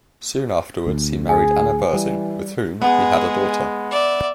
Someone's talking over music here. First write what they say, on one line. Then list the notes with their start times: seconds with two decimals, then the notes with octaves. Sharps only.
Soon afterwards he married Anna Berzin, with whom he had a daughter.
0.87 D2
1.29 G#4 G#5
1.93 E3 G3
2.82 G#3 B3 G#4
3.91 D5 E5